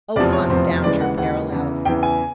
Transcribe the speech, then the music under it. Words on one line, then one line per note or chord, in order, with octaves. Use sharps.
'Oh, confound your parallels!
F1 E2 C3 F3 D5
C#5
F1 E2 C3 F3 C5
D#2 C#3 E3 G#3 D5
F#5
D#2 C#3 E3 G#3 F#5
E2 C#3 E3
E2 C#3 E3 G5
G#5